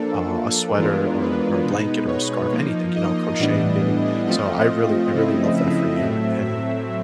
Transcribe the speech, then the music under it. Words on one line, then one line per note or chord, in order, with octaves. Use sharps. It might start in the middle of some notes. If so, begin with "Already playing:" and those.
uh, a sweater or a or a blanket or a scarf, anything, you know, crocheting, knitting. So, I really I really love that for you and,
Already playing: F3 A#3 D4 A4
E3 G#3 B3 D4 F4 A#4
B4
B2 G#3 B3 D#4
C#5
F3 A#3 D#4
D#5
A2 E3 G3 B3 D4
F3 A3 C4 F4 D#5
C#3 F3 A3 C4 E4
E5
A2 F#3 A3 C4
E5